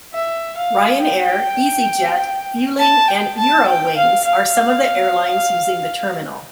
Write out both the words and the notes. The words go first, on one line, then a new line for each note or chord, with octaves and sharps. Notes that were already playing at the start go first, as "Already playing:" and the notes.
Ryanair, Easyjet, Vueling and Eurowings are some of the airlines using the terminal.
E5
F5
G5
A5
G5
A5
G5
F5
F5